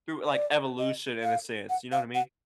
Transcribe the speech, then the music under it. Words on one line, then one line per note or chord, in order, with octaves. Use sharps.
through, uh, like, evolution in a sense, you know what I mean?
D5
D#5
F5
F#5
F5
F#5